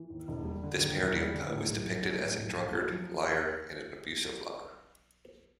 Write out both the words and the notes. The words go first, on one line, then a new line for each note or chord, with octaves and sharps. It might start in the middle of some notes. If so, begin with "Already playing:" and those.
This parody of Poe was depicted as a drunkard, liar, and an abusive lover.
Already playing: E3
D#2
E1
G3
D3
D#2
E1
G3
D3
A2
B1
B1
F#3
A2
B1
B1
F#3
F3